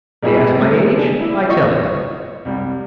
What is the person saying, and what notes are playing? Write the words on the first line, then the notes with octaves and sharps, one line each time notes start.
They ask my age; I tell it.
G#1 F2 G3 E4 G#4 B5
G3 A3
D4 G#4
E4
F4 D#5 C#6
C2 G3